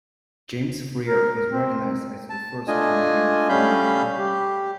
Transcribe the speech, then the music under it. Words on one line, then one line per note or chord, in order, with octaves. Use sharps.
James Freer is recognized as the first Canadian filmmaker.
A#4
C4
A5
A3 D4 F4 D#5 G#5
G3 A3 C#4 F5 B5 G6
G4